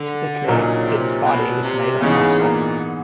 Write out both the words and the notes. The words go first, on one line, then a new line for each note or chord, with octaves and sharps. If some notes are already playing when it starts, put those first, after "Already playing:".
Typically its body is made of metal.
Already playing: D3
A#1 A#2 C#3 F#3 A#3 D#4
C3
B2
C3
G#2 C#3 E3 G#3 B3
A#2